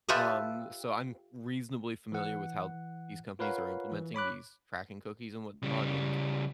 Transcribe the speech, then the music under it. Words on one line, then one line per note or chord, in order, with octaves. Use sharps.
Um, so I'm reasonably familiar with how these companies are implementing these tracking cookies and whatnot, and
F4 G4 A4 B4 D#5 E5
E3 F#5
F4 A#4 B4 C#5 F5 F#5
E3
C#5 B5 D6 F#6
C#3 G3